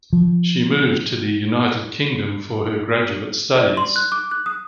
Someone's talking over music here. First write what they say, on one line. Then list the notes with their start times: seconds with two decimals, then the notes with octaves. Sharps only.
She moved to the United Kingdom for her graduate studies.
0.13 F3
3.58 D5
3.77 C6
3.96 F#6
4.12 D6
4.31 F#6
4.46 D#6